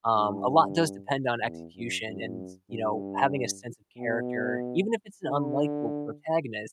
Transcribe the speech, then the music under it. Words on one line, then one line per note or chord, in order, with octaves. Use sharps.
Um, a lot does depend on execution, and, you know, having a sense of character, even if it's an unlikeable protagonist.
G2
E2
F#2
F#2
G2
B2
D3